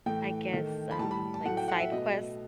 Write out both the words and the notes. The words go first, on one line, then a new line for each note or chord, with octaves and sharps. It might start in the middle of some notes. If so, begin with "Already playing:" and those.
I guess, um, like, side quest
A2 E3 A3 G5
D#3 A3
B5
A2 G3 A5
B5
A5
A2 F#3 A3 F#5
G5
F#5
E5
B2 A3 D#5